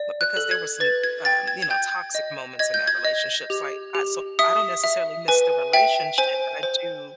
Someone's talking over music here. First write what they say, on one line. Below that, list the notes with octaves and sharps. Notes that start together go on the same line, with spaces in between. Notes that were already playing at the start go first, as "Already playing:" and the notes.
but because there were some, um, you know, toxic moments in that relationship. So, I I, so I don't necessarily miss the relationship, but I do
Already playing: D5
F#6
A4
G#6
B4 A6
G#6
G5 A6
G#6
G#6
G5 G6
D#5
D#5 G#6
G6
G#6
D#5
G4
G4
E5 D#6
E5
B4 G#5
E5 G5
C5 G#5
C5